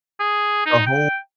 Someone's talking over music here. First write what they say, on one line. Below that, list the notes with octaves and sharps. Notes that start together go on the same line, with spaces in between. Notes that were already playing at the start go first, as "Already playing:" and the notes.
the whole
G#4
D#4
G5